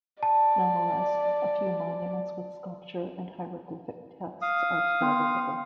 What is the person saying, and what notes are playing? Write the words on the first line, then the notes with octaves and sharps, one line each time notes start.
Nonetheless, a few monuments with sculpture and hieroglyphic texts are still visible.
D5 A5
F5 D#6
B3 G5 C6